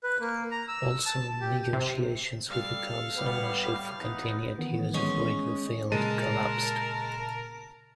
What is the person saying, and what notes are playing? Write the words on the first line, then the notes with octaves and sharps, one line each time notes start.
Also, negotiations with the Cubs' ownership for continued use of Wrigley Field collapsed.
B4
A#3
A#5
E6
A5
G4
C3
G3 A4 F5
A2 G3 B3
E3 B3 D#4
D#3 E3 B3
G#3 C#4 D#5
A#2 C#3 G#3 A#4 A5 D#7